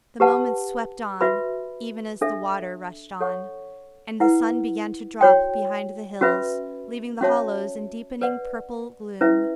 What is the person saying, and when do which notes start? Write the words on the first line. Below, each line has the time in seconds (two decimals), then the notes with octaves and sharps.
The moments swept on, even as the water rushed on, and the sun began to drop behind the hills, leaving the hollows in deepening purple gloom.
0.20 G4 B4 F#5 A5
1.21 F#4 B4 E5 B5
2.21 D4 A4 E5
3.21 A4 C#5 F#5 C#6
4.20 E4 B4 F#5
5.21 F#4 C#5 G5
6.21 C#4 F#4 B4 E5 B5
7.21 C#4 F#4 C#5 E5 A5
8.22 B4 D5 F#5
9.21 C#4 E4 B4 E5